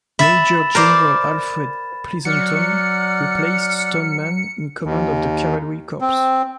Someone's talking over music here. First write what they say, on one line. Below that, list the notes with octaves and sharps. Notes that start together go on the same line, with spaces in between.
Major General Alfred Pleasonton replaced Stoneman in command of the Cavalry Corps.
E5 B5 A6 E7
A#4 C5 D5
F#3 D5 F#5 F6 C#7
D#2
C4